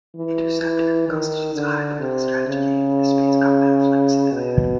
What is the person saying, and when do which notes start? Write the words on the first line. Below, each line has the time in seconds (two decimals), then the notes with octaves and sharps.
"Interceptor", constitutes a hybrid of a strategy game and a space combat flight simulator.
0.16 E3
0.62 E3
1.08 D#3
1.55 D3
2.00 C3
2.47 C#3
4.32 B2